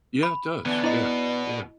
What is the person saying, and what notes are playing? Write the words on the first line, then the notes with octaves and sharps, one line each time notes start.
Yeah, it does, yeah, yeah,
B5
D3 E3 B3 D5
B2 E4 D#5